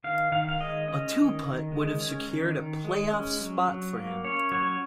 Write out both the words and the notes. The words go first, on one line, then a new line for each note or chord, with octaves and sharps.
A two-putt would have secured a playoff spot for him.
D#3 F5
D#3 F5
F5
G#3 D#5
C#4 D#5
D#3
D#3
G#3
C#4
D#3
D#3
G#3
C#4
F#3
F#3
A#3
C#4 C#5
F#3 C#5